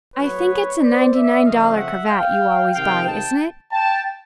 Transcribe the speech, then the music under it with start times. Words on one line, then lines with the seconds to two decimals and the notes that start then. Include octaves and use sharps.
I think it's a ninety-nine dollar cravat you always buy, isn't it?
0.16 A2 F#3 B3 B4 C#5
0.81 C5 D5
1.13 D5 E5
1.45 C#3 F3 A3 C4 D#5 F5
1.77 E5 F#5
2.10 F5 G5
2.74 C3 D#3 G#3 F5 G5
3.07 G5 A5
3.72 G5 A5